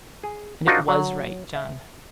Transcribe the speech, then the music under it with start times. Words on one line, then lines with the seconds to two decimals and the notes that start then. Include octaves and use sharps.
And it WAS right, John!
0.24 G#4
0.66 D4 D#4 F4 F#4 A#4 C5
0.88 F#3
1.55 E5